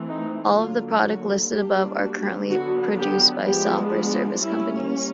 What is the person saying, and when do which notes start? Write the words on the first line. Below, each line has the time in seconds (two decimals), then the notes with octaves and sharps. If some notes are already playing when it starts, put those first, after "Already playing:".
All of the products listed above are currently produced by software service companies.
Already playing: E3 A3 C4
0.09 D#4
0.57 D3 F#3 A#3 F4
1.05 F#4
1.53 G3 A#3 D4 G4
2.02 F#4
2.49 D3 F#3 B3 F#4
2.99 G4
3.46 F3 G#3 B3 D4 G4
4.42 G3 A#3 C#4 E4